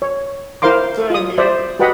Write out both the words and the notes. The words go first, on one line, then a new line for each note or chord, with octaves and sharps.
Same here.
C#5
E4 A#4 C5 F5 C6 D6
F4 D#6
C5 D5 E5
F#4 G4 B4 D#5 F#5 B5